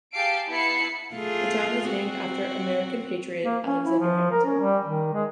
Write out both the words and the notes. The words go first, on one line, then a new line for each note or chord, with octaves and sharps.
The town is named after American patriot Alexander Hamilton.
G4 G#4 F5 A5 C7 D7
B3 E4 A5 B5 C7 C#7
A3 F4 G#4
C4 F#4
A#3
C#4
E4
F3
A#4
C#4
G3
D#3
G#3